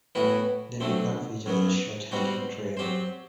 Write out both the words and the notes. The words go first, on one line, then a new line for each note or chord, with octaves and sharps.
Denbigh Park features a short hiking trail.
A2 E3 B3 F#4 B4
D3 F#3 A3 C4
F#2 F#3 B3
B2 G3 C4 F#4
F#3 C4 G4 C5